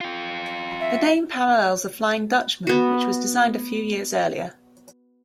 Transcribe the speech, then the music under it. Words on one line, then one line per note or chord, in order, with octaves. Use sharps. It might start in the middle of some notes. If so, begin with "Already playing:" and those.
The name parallels the Flying Dutchman which was designed a few years earlier.
F4 G5
E5
B3 F#4